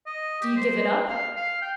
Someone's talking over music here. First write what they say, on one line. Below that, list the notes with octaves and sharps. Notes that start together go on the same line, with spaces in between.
"Do you give it up?"
D#5
G4
C5
F5
F5
G5